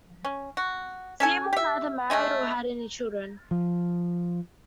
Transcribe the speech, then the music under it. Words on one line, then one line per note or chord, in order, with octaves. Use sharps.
Seymour neither married or had any children.
C#4
F#4
C#4 A4 G#5
G4 E5
G#3 A3 D#4 G#4
F3